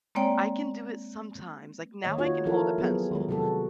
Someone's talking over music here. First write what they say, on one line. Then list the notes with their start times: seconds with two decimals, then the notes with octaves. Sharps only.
I can do it sometimes, like, now I can hold a pencil,
0.15 G#3 A#3 C4 C#5 D5 G5
2.04 D#3 A#3 C#5 D#5
2.18 D#4 F4 F#4 C#5
2.46 F3 C#4 E4 F4 A4 A#4
2.78 F#3 B3 G#4
3.11 D#3 G#3
3.29 C3 F#3 G#3 F#4 G4 A4